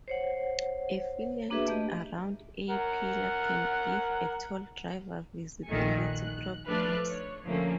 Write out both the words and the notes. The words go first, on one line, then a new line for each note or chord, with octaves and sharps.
A fillet round A-pillar can give a tall driver visibility problems.
C5 C#5 F#5
A#3 D4 F#4 G#4 B4 E5
A3 G4 D#5
A#4 F#5
A#1 A#2 D#3 A3 G#5 C#7
F#6
F3 A3 D4 B4 F6 F#6
C#5
D3 F3 A3 A#3 C#4